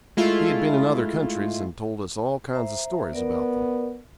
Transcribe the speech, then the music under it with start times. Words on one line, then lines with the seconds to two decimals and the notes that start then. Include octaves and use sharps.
He had been in other countries, and told us all kinds of stories about them.
0.17 G#3 A3 E4 F4
2.53 C5 E5 A#5
3.13 B3 A#4 D5